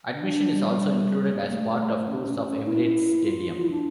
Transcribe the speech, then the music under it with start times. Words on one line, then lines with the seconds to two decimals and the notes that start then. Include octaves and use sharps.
Admission is also included as part of tours of Emirates Stadium.
0.15 D4
0.54 G3
1.31 A#3
1.51 A3
1.70 A3
2.08 C#4
2.16 D4
2.25 C#4
2.46 C#4
2.67 E4
2.85 E4
3.24 F4
3.62 E4
3.71 D4